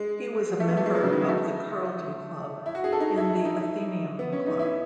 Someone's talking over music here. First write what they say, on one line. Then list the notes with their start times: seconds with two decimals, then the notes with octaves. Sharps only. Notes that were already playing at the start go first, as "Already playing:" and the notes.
He was a member of the Carlton Club and the Athenaeum Club.
Already playing: G#3
0.60 A3
0.68 B3
0.77 A3
0.86 G#3
0.95 F#3
1.03 C#3
1.12 D#3
1.20 F#3
1.28 A3
2.66 E4
2.75 F#4
2.84 G#4
2.92 A4
3.00 D#4
3.17 E4
3.35 E4
3.45 D#4
3.55 E4
4.19 B3
4.32 C#4
4.46 D#4
4.59 E4